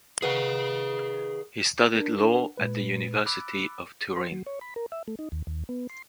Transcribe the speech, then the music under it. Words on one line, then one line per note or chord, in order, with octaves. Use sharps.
He studied law at the University of Turin.
D#3 G#4 B4 F5 F#5
D4 A#4
A#2 G#3 B4
B5 D6 E6 F#6 A6
C5
F#3
C#5
B5
A#4
E5
A3
D#4
D#2
D#2
B3
C6